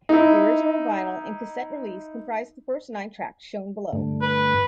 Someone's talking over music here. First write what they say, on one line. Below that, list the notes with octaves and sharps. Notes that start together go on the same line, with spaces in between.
The original vinyl and cassette release comprised the first nine tracks shown below.
D#4 E4
G2 D3 A3
B4